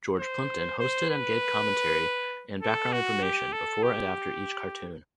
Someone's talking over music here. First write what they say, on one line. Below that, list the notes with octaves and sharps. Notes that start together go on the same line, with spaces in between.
George Plimpton hosted and gave commentary and background information before and after each cartoon.
C5
C5
B4
A4
F#4
G4
A4
G4